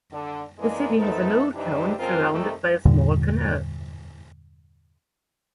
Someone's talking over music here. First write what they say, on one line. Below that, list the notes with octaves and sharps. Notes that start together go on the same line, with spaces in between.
The city has an old town, surrounded by a small canal.
D3
F2 E3 G#3 A#3 D4 D#4
A3 B3 C4 D#4 A4 A#4
G2 C3 E3 G3 D4 D#4
C#3 F3 G#3 C4 F4 A#4
C3 D#3 G3 A3 A#3 C4
E2 G2 A#2 D3